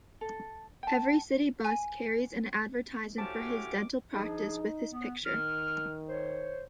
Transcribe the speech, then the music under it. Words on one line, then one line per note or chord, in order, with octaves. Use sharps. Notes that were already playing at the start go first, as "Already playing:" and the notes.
Every city bus carries an advertisement for his dental practice with his picture.
A4
G5 A5
G#5
A2 C#4 F#4 G4 C5 A5 D6
F3 D4 D#4 G#4
B3
D#3 F6
C5 C#5